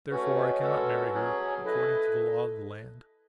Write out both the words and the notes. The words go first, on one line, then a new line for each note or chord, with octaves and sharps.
Therefore I cannot marry her, according to the law of the land.
A3 C#4 F#4 B4
C#5
D#5
C#5
G#3 C#4 F#4 A4 B4
F#3 C#4 G#4
E4 A4 B4 D#5